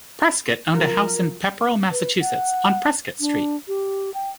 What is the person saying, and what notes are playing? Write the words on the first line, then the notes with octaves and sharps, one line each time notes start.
Prescott owned a house in Pepperell, Massachusetts, on Prescott Street.
F3 F#3 F4 A#4
B4
F#5
D4
G4
G5